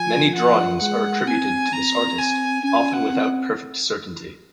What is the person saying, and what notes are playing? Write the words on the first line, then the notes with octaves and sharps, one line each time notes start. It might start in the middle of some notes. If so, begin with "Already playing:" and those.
Many drawings are attributed to this artist, often without perfect certainty.
Already playing: F3 G#5
F#5
G#3 F#5
C4 G#5
C4 A#5
G#5
C#4 G#5
F#5
C4